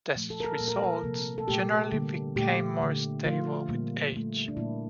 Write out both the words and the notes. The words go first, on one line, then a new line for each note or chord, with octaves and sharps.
Test results generally became more stable with age.
A#2 F3 A3
A4
A#4
A4
A#2 G3 A#3
A#4
A4
A#4
C3 F3 A#3
A4
A#2 A3 G4
D3 G3 A#3
A#2 A3 G4
D3 A3
D3 F3 A3 F4
A#2 G3 A#3
A#2 A3
D4
A#2 G3 A#3 E4